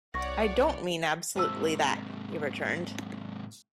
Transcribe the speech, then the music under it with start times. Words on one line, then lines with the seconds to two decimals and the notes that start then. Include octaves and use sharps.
"I don't mean absolutely that," he returned.
0.14 C2 C#5 D5 F#5 C#6 A#6
1.36 G#2 C3 C5 A5 E6